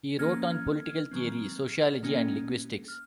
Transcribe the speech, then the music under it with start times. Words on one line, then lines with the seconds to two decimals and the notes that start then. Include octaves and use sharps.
He wrote on political theory, sociology and linguistics.
0.19 D#3 A#3 C#4 F6 G#6
1.11 D#3 F#3 C4
2.03 D#3 A#3 C#4
2.88 F6